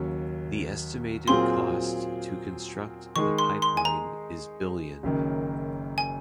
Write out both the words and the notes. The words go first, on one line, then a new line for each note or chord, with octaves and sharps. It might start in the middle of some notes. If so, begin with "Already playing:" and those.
The estimated cost to construct the pipeline is billion.
Already playing: D#2 C#3 F#3 C#4
A#2 F#3 C4 F4 G#4 C6
D#3 G#3 D#4 G#4 C#6
C6
C6
G#5
A#5
F#1 F#2 D#3
G#5